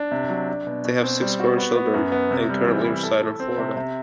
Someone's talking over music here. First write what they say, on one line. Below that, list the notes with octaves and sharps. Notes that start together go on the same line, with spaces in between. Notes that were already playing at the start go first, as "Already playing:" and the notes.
They have six grown children, and currently reside in Florida.
Already playing: D4
C3
F#3
D4
B2
B2
C4
G3
F#4
B3
B3
F#2
B3
C3
G3
E3
E4
A4
A4
C4
C3
C3